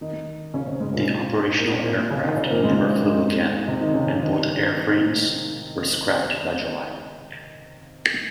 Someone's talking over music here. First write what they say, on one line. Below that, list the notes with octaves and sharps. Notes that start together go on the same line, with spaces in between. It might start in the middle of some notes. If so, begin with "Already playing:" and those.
The operational aircraft never flew again, and both airframes were scrapped by July.
D#3 D#4
C#3 C#4
C3 C4
G#2 G#3
A#2 A#3
A#3
C4
A#2 A#3
C#3 C#4
D#3 D#4
C#3 C#4
C4
A#2 A#3
G#2 G#3
C3 C4
D#3 D#4
C#3 C#4
C#3 C#4
D#3 D#4
C4